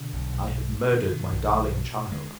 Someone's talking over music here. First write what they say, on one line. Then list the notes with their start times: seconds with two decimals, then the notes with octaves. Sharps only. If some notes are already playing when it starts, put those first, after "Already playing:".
I have murdered my darling child!'
Already playing: B2 D3
0.13 B1
0.32 B1
0.52 B2
0.72 B2
0.92 B2 D#3
1.01 D3
1.09 B2 D#3
1.32 B1
1.52 B1
1.71 B2
1.91 B2
2.11 D3 G#3